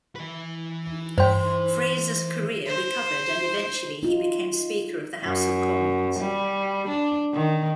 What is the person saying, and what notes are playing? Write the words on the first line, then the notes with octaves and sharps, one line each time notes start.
Fraser's career recovered and eventually he became Speaker of the House of Commons.
E3 B4
G2 C5 G5 C6
C5
D#4 F4
F#2
G3
D4
D#3